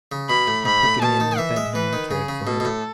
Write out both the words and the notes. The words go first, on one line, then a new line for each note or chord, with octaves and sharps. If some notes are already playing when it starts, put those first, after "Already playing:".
We took him in and fed him and cared for him.
C#3
B2 B5
A2
G#2 B5
A2
B2 A5
D#3
D#3
E3 E5
G#3
E3 B4
D#3
C#3 G#4
C#3
B2 A4
B2
A2